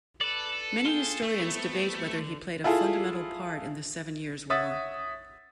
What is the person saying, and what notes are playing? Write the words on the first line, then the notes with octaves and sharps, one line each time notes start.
Many historians debate whether he played a fundamental part in the Seven Years' War.
A4 B4 D5
F4 G#4 G5
A3
B3 C4
D3
E4 F4 G#4 A4
C#5 E5 F#5 D#6 A6